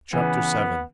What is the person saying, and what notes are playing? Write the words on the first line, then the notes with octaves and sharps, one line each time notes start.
Chapter VII.
C#3 E3 B3